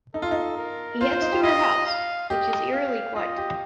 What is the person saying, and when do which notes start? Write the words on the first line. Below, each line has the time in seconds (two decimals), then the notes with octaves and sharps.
He heads to her house, which is eerily quiet.
0.14 D#4 A4
0.22 F4
0.31 D#4
0.57 A#4
1.01 F4 C5
1.11 F4
1.21 D#4
1.32 G4
1.43 F4 D#5
1.86 F5
2.29 G4 D#5
2.73 F5
3.15 F4 D#5
3.38 G4